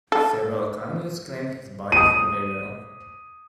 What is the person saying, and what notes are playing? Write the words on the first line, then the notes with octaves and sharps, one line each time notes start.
Several communes claimed his body for burial.
A4
D#6 D#7